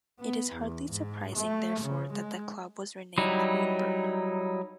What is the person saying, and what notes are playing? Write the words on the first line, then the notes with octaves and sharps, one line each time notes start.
It is hardly surprising therefore that the club was renamed the 'rain bird'.
B3
E2
G#2
A3
C#3
G#3
F#3 G3 D#4 E4